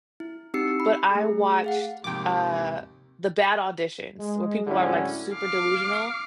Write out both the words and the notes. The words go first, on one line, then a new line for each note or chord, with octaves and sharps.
but I watched, uh, the bad auditions where people are like super delusional
E4
C4 D#4 G4 E6 C7 C#7
B5
A3 G#4
G#4 F5 F#5
D#2 G#2 C3 F3 G5 A#5 D6
G#3
A2 D3 F#3 G#3 C#4 E4
F5 D6